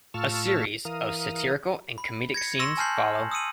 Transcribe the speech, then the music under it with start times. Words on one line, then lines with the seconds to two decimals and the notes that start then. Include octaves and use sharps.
A series of satirical and comedic scenes follow.
0.14 A2 F4 A5 C#6 E6 F6
0.85 E3 A#4 F5 D#6
1.98 B5
2.34 G#6 A#6 C#7
2.59 C6 C#6 E6 A#6 E7
2.77 G#5 A5 F6 G6 C7 F#7
3.31 D#6 E6 C#7 D#7 F#7